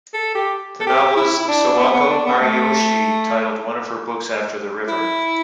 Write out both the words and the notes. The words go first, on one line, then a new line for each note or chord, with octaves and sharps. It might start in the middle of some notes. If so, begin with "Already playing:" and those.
The novelist Sawako Ariyoshi titled one of her books after the river.
A4
G4
A4
G4
E4
E4
D4
B3
B3
D4
B3
A3
E4